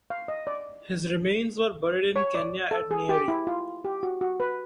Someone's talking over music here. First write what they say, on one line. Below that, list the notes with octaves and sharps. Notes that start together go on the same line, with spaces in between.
His remains were buried in Kenya at Nyeri.
F5
D#5
D5
C#5
D5
A4
G#4
G4
E4
F4
G4
F#4
F#4
B4